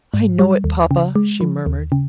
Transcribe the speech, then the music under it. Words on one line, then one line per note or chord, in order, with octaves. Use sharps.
"I know it, papa," she murmured.
G#2
G3
D#2
C#3
G#3
F3
D#2
C#3